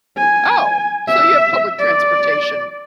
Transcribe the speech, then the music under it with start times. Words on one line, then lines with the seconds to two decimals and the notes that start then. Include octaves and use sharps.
Oh, so you have public transportation
0.18 G#5
1.08 E5
1.79 D5